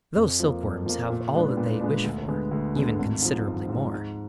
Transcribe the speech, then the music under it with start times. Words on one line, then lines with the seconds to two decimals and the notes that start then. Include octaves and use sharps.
Those silkworms have all that they wish for,--even considerably more.
0.15 F2
0.40 F3 A#3
0.63 F2
0.86 F3 A#3
1.10 A#2
1.34 G#3 B3 D4
1.57 A#2
1.81 G#3 B3 D4
2.04 D2
2.27 D3 G#3 B3
2.51 D2
2.75 D3 G#3 B3
2.99 G#1
3.22 G#2 F3
3.46 G#1
3.69 G#2 F3
3.93 G#2